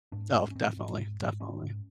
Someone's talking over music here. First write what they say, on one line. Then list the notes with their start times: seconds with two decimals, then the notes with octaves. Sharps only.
Oh, definitely. Definitely.
0.12 G#2 D4
0.33 G#2 C#4
0.51 C#4
0.55 G#2 C4
0.77 G#2
0.98 G#2
1.20 G#2
1.40 G#2 C#4
1.63 G#2